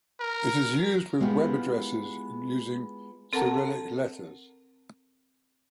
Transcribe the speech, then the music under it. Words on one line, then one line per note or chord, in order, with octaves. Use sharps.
It is used with web addresses using Cyrillic letters.
A#4
G#3 B3 E4 F4 G4
C4 A4 A#4 F#5 A5 A#5